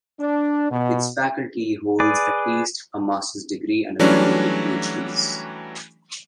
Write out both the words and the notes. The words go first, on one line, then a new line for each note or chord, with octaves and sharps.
Its faculty holds at least a master's degree and a number with PhDs.
D4
B2
G#4 B4 D5
E3 F#3 G3 A3 C#4 D4